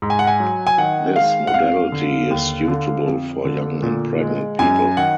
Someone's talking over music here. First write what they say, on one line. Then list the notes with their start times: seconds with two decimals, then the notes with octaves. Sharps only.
This modality is suitable for young and pregnant people.
0.02 G#2
0.10 G#5
0.19 F#5
0.27 G#5
0.40 F#3
0.67 G#5
0.78 D#3 F#5
1.16 G#3 F5
1.47 F#5
1.54 F2 F5
1.92 D3
2.31 D#2
2.68 D3
3.07 F2
3.45 D3
3.83 A#2
4.21 G#3
4.59 F#2 G#5
4.97 D#3 F#5